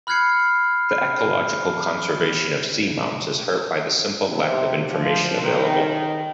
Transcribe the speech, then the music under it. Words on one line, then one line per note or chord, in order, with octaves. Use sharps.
The ecological conservation of seamounts is hurt by the simple lack of information available.
B5 F6 F#6 G#6 C7 C#7
C3
F3
D#3